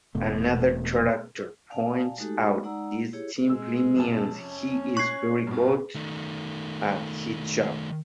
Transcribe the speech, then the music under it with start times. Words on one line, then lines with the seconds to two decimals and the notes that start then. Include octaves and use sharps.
Another character points out this simply means he is very good at his job.
0.15 E1 B2 A3
1.71 D5 F5 G#5 A5
2.18 G#3 A3 D#4 F#4 G4 A4
2.63 G#3 D#4 D5 F#5 A#5 E6
3.13 E4 G4 G#4 C#5
3.49 G#3 E6
3.96 F2 C3 A5
4.35 C#4
4.97 C#6 F#6 G#6 C7
5.47 G2 B2
5.95 D#3 A3